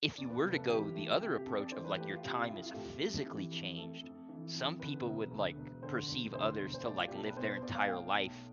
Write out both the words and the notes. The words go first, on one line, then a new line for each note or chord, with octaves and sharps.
if you were to go the other approach of, like, your time is physically changed, some people would, like, perceive others to, like, live their entire life.
E2 D5
B4
F1 B4
A4
E3 G4
A3
C3 G4
G4
F2 A4
D5
E3 C5
B4
A3 G4
F4
C3 G4
F4
F2 E4
F4
A3 G4
F2
E3
F2
A3 A4
F2
E3
F2
D3 B4
E1
D2
E1
D3 C5
E1
D2 C5
E1
C5
A3 D5
F4
B1 G4
A4
B4
B2 C5
C5
B1 D5
F5
A3 G5
B1